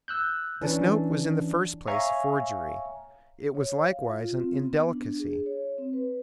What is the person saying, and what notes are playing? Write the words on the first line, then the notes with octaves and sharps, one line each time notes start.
This note was in the first place a forgery; it was likewise an indelicacy.
E6 F#6 G6
E3 C#4 D4
C#5 E5 F5 G#5 A#5 C#6
C#5
F5
F4
C4
B3
D4
G#4
C#5
C4
B4